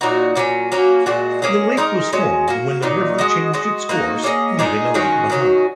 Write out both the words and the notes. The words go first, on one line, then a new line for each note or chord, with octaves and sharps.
The lake was formed when the river changed its course leaving a lake behind.
A#2 F#3 D#4 F#4
A#2 F#3 A#3 C#4
F#3 A#3 C#4 F#4
A#2 G#3 F#4
A#3 C#4 G#4 D#5
G#3 D#4 A#4 D#5
G#3 C#4 F#4 D#5
A#3 F#4 A#4
A#2 F#3 D#4
G#3 F#4 D#5
G#3 F#4 D#5
A#3 D#4 F#4
A#3 C#4 G#4 D#5
A#2 G#3 D#4 G#4
D#3 G#3 C#4 F#4
D#3 F#3 C#4 F#4